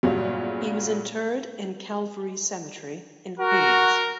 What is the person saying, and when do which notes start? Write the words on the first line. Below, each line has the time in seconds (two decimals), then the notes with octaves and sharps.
He was interred in Calvary Cemetery in Queens.
0.03 G1 G2 A#2 C#3 F#3
3.39 F#4 A#4